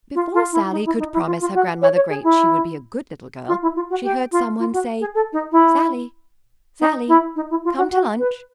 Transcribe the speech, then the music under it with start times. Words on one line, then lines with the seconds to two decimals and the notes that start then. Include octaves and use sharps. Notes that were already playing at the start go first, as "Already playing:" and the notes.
Before Sallie could promise her Grandmother Great she would be a good little girl she heard some one say, "Sallie, Sallie, come to lunch."
0.15 F4
0.34 F4
0.52 E4
0.71 D#4
0.85 E4
0.99 D#4
1.13 E4
1.26 F4
1.40 F4
1.54 F#4
1.82 C#5
1.95 C#5
2.09 G#4
2.24 E4
3.48 F4
3.62 E4
3.75 F4
3.90 F#4
4.03 G4
4.32 F4
4.59 F4
4.73 F#4
5.00 G#4
5.14 A4
5.33 D#4
5.52 E4
6.80 D#4
7.08 E4
7.36 D#4
7.50 E4
7.64 F4
7.77 F#4
7.91 F#4
8.19 B4